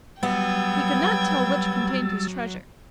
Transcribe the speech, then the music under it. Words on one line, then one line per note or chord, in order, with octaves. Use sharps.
He could not tell which contained his treasure.
F#3 G3 B3 E5 G5 E6 G#6 A6